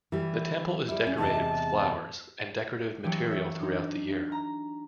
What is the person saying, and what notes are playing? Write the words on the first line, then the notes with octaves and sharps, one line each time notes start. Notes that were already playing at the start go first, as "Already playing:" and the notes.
The temple is decorated with flowers and decorative material throughout the year.
E3 G3
G3 E4
C#4
E2 C3 G#3 A5
E3 F#3 A3 G4 C#5
C#5 E5
D4 D#4
A#5